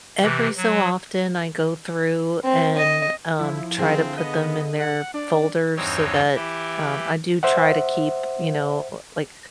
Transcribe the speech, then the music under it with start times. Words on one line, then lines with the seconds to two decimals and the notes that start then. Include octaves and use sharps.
Every so often, I go through and, um, try to put them in their folders so that um, I do try to keep, you know, l like,
0.22 C3 E3
0.56 F#3
2.44 C4
2.77 D#5
3.39 F3 E4
3.78 D3 C4 G#4 F5
4.18 B3 D#5
4.79 F#5
5.14 D4 D5
5.77 E2 G2 C4 D#4 C#5 E6
6.35 E3 E4 G4
7.43 C5 E5 F#5